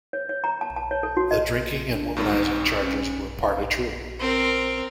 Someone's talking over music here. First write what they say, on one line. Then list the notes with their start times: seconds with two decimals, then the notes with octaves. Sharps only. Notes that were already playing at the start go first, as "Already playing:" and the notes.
The drinking and womanizing charges were partly true.
0.13 C#5
0.29 C#5
0.44 A#5
0.61 A5
0.76 A5
0.91 C#5
1.03 A4
1.17 F#4
1.31 D#5
1.91 D4
2.17 G#1 G2 D#4
2.80 C#4
4.20 C4 A#4